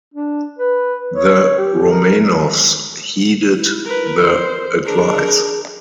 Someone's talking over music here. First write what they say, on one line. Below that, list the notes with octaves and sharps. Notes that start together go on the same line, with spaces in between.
The Romanovs heeded the advice.
D4
B4
C#5
G4
A#4
E4
A#4 B4
A#4 C5
D4 G#4 A#4